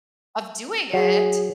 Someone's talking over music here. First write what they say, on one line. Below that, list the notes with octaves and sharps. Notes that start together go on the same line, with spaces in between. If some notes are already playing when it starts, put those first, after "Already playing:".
of doing it.
F#3 G#4